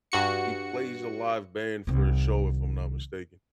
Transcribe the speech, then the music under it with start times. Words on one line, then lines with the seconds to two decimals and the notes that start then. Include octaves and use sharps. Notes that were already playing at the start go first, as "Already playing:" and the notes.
He plays a live band for a show, if I'm not mistaken.
0.12 G2 F#4 C#7
1.87 C2 D#3